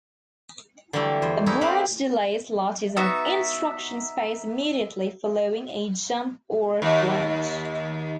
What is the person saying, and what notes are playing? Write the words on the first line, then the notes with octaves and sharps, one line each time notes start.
A branch delay slot is an instruction space immediately following a jump or branch.
D3 E3 F#3 G3 A3 E4
E2 C5
C#4 D#4 E4
C4 D#4 G4 B4 C5 F5
B3 D#4 F#4 E5
D#2